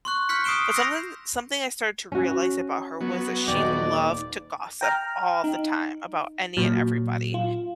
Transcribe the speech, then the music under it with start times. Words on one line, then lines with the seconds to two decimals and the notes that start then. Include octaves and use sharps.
but something something I started to realize about her was that she loved to gossip all the time about any and everybody.
0.05 C6 C#6 F#6
0.29 C6 F6 G6 B6 C#7
0.44 D#6 C7 D7 E7 G7
0.74 E6 G6 A#6 C7 F7
2.12 C#4 F#4
3.01 F#3 B3
3.48 D#1 D#2 D5 G5
4.81 G5 A#5 F6
5.44 D#4
6.57 A#2 F#3
7.34 F4